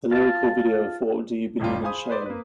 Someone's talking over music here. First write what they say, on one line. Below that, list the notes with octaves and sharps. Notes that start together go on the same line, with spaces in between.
The lyrical video for Do You Believe In Shame?
F4 A5
E1 A1 G2 C3 G3 F4
G#4 C5 F5 G#5 B5 D#6
B4 C5 D5
A#3 B4